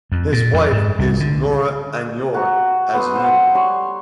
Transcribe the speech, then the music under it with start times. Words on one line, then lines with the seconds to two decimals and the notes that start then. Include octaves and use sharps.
His wife is Nora Aunor as Lumen.
0.12 F2
0.32 A#2
0.54 F2
0.73 G#2
0.99 C2
1.20 D3
2.34 F#4 A#5
2.94 B3 A4 C6 D#6
3.16 C5 F#5
3.55 G3 C#5 C6 C#6